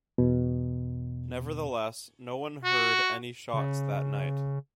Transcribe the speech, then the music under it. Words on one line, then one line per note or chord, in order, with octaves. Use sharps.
Nevertheless, no one heard any shots that night.
E2 B2
F#4
C#3